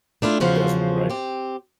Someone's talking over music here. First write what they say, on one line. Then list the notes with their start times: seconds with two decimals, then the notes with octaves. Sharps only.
Who doesn't, right?
0.22 A3 D4 E4 F4
0.40 E2 C#3 F3 F#4 C5
1.10 C4 G4